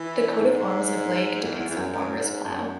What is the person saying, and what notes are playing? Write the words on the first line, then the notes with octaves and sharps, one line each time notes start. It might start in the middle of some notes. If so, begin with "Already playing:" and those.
The coat of arms of Lage depicts a farmer's plough.
Already playing: E3
G#2
E2
E2
E2
F#2
F#2
G#2
F#2